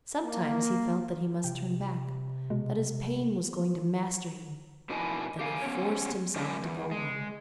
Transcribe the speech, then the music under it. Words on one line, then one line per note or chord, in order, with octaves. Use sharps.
Sometimes he felt that he must turn back--that his pain was going to master him; then he forced himself to go on.
A#3
C3 G5
B2 G#3
B2 D#3 D4 E4 D#5 G#5
G4 F5 G5 G#5
B3 C#4 C#5
F#2 D3 G#3 C#4 G4 A#4
E2
G#3